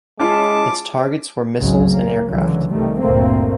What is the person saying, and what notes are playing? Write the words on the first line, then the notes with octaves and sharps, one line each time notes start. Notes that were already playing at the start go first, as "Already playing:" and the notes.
Its targets were missiles and aircraft.
G#3 C#4 E4 F4 A5 D6
G#1 C#2 C#3 F#3 G#3
A#3
C#2 D3 E3 F#3
C2 D#3 G3 A3
G1 D2 A#2 A3 A#3 C4